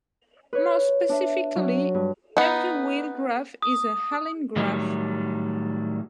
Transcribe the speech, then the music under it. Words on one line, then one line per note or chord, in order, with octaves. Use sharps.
More specifically, every wheel graph is a Halin graph.
B4 C#5
D4 E5
F#3
G2
B3 D#4
D#6
A2 D#3 F#3 G3